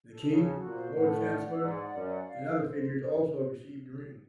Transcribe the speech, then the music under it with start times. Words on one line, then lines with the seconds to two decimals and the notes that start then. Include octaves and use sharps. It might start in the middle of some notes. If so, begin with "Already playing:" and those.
The King, the Lord Chancellor and other figures also received rings.
0.09 A4
0.30 C#3 A4
0.52 F#4
0.63 A#2
0.74 C5
0.95 A2 F#5
1.17 D5
1.39 F#5
1.61 G#2 D5
1.82 F#5
1.94 F#2
2.04 D5
2.27 F5
2.48 C5
2.70 C5